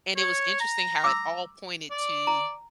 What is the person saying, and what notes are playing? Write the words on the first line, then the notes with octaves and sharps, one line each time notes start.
and it was interesting how it all pointed to
C#5
A#5
D6 E6
D5
A#5